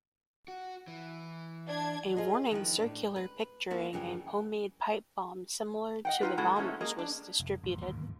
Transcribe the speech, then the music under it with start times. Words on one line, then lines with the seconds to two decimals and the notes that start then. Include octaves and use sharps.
A warning circular picturing a homemade pipe bomb similar to the bomber's was distributed.
0.48 F#4
0.87 E3
1.67 D4 G#6
2.17 F4 G#4 C5 D#5
2.51 D#3 F3 E4 B4
2.79 A2 D4
3.16 B4
3.70 A#3 E4 F#4
3.93 F#2 C#3 E3 G3 G5
6.05 D#5 F#5 G5
6.21 D#4 F4 B4
6.37 C#3 G#3 E4 F#4 A4
6.56 A#2 G#3 A3 C#4
6.81 A#3 G#4 A#4 D#5
6.99 D4
7.39 F1
7.63 A1 F#2
7.86 D1 D#2 G#2 D#3